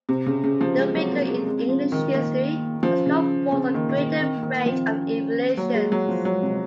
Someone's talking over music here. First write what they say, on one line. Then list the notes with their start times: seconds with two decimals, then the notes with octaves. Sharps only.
No figure in English history has called forth a greater range of evaluations.
0.09 C3
0.26 C#3
0.44 C#3
0.61 F3
0.77 G#3 C4
0.94 F#3
1.12 A#3
1.28 G#3
1.46 G#3
1.69 F3
1.92 D#3
2.15 D#3 A#3
2.83 F3 C#4
3.06 C#3
3.52 C#3 C4
3.74 D#3 A#3
3.89 D#3
3.97 C#3 A#3
4.20 D#3 C4
4.37 A#3
4.43 D#3
4.55 A#3
4.66 F3
4.72 C4
4.88 C#4
5.57 F#3 A#3
5.74 G#3
5.92 F#3
6.09 F3
6.25 F#3 G#3
6.42 C3